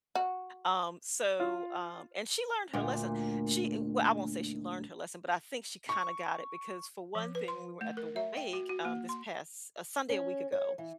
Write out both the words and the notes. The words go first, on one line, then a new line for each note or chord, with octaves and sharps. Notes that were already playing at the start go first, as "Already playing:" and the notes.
Um, so, um, and she learned her lesson. She eh well, I won't say she learned her lesson, but I think she kinda got it, because for one thing, we were at the wake, um, this past, uh, Sunday a week ago,
F#4
F4
D2 A#2 F4
C#6
F3
B4
C6
A3
A#4
E5
G5
F#4
F#4
A#3
C6
C#4
C#5
E3